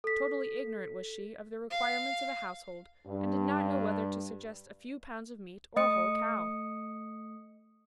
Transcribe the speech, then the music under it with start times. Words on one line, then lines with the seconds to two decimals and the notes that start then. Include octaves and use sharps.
Totally ignorant was she of the requirements of a household; and did not know whether to suggest a few pounds of meat or a whole cow.
0.04 A4 B6
1.70 F5
3.06 G2
5.76 A3 D#5 D#6 C#7